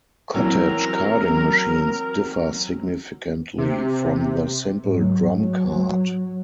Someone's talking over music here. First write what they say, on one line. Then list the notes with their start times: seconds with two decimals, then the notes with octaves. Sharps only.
Cottage carding machines differ significantly from the simple drum card.
0.34 E3 F#3 C4 A#4
3.58 C3
4.84 G#2 F#3
5.32 F#3